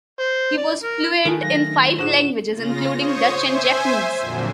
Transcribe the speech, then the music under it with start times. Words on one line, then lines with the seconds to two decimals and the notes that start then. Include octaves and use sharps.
He was fluent in five languages, including Dutch and Japanese.
0.20 C5
0.57 D5
0.83 A#4
1.25 D#3 A3 G#4 B4 D#5 G#5
1.43 F#3 A#6
1.99 A2 D3 F4 G#4 C5 F#5 E7
2.55 C#3 F4 A#6
2.96 C5 C#5 C#6 D#6
3.40 C5 E5 G#5
4.20 F2 A#2 D3 F#3